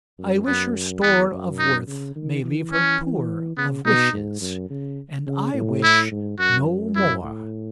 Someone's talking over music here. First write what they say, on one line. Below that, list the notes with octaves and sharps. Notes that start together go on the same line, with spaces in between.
I wish her store Of worth may leave her poor Of wishes; and I wish--no more.
F#2
F#2 B3
E2 B3
F#2
D#4
C#3
D#3
E3
C#4
E3
C#3 B3
B2 D#4
G#2
F#2
C#3
C#3
A2
E4
G#2
F#2 F#4
F#2 E4
A2